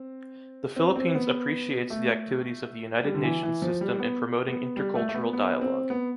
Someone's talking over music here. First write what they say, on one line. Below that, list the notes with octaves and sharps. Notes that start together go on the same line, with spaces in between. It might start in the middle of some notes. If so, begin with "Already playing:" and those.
The Philippines appreciates the activities of the United Nations system in promoting intercultural dialogue.
Already playing: C4
C4
C4
B3
A3
G3
D3
E3
E3
F3
G3
B3
B3
G3
A3
A3
B3
B3
C4
B3